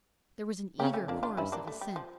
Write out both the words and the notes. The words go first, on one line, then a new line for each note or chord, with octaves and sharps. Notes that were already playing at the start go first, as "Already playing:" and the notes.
There was an eager chorus of assent.
C#3 G4 A#4
A3 C#4
F2 A#3 D4
D4 F4
G2 C#4 E4
A#3 D4
A3
G3
F3